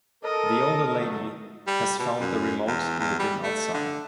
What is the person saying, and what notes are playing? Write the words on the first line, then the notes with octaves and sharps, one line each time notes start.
The older lady has found the remote in the bin outside.
A4 A#4 D#5
C#3 F#3 A3
G3
B2
F#2
E2
E2
G3
A3
D3